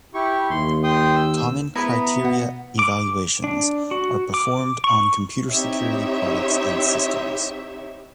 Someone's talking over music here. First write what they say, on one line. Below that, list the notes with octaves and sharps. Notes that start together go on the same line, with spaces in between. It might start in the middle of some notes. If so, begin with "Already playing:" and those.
Common Criteria evaluations are performed on computer security products and systems.
E4 G4 C#6
D#2 C6
G5 C6 D#6
E6
B3 E4 B4 A#5
B2 F#5
D6
D4
F#4
D6
C#6
C4 D#4 E4 G4 C#5 E5